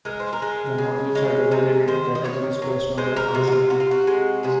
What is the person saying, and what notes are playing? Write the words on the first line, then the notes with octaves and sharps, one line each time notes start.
The Modules are divided into categories, based on their function.
G#3 A#4
C5
A#4
G#3
C#3
G#3 C#4
C3 D#4
D#3 C5
D#5
D#3 C#5
F#3
G#3 C5
A#4
C3 F#4
F#4
F4
C3 F#4
F4
F#4
G#3
C3 G#4